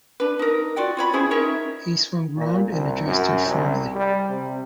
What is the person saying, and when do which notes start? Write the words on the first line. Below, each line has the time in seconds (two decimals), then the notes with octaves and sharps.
He swung round and addressed her formally.
0.20 D4 B4
0.39 D#4 A#4
0.76 F4 F#4 D5 G5
0.97 F4 C#5 B5
1.13 C#4 E4 G#4 C5
1.31 D#4 A#4 C#5 E5
2.37 A#2
2.69 C2
3.06 F#2
3.46 C2
3.96 G3
4.29 C3